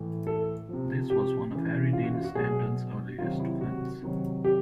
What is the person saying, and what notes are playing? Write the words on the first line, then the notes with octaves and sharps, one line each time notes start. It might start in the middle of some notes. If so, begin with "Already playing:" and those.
This was one of Harry Dean Stanton's earliest films.
Already playing: A2 E3
A4
C3 F3
G4
C#3 E3
F4
F#4
F4
F#4
B2 F#3 G#4
C3 D#3 F#3 F4
E4
F#4
C3 D#3 F#3
G4